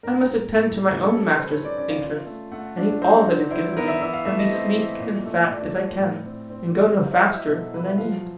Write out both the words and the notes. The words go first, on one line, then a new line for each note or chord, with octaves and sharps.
"I must attend to my own master's interests, and eat all that is given me, and be sleek and fat as I can, and go no faster than I need."
A2 A#4
A2
A2 A#4
G3
G#4
C#4 A4
C#4 B4
C5
D#3 C#5
D5
C#4 D5
F5
F4
A3
A3 F#5
D4
F#3 C5
F#3
E4 C5
B3 A#4
E5
E3 E5
F5
A3 E5
D#5
C4
E3
A#2
A3
A#2 D5
A3
A2
C4
C4
E3
F#3 C5
F5
E5
E4 E5
D#5
B2 A4
F#3 B4
E5
F3 F5